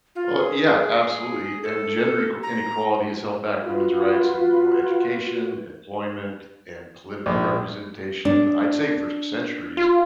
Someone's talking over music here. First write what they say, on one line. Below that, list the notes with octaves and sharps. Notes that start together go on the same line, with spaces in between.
Uh, yeah, absolutely, and gender equa inequality has held back women's rights, and, you know, education, employment, and political representation, I'd say, for centuries.
F4
G#4
A4
A#5
F4 F#4 B4
A#1
D4
F4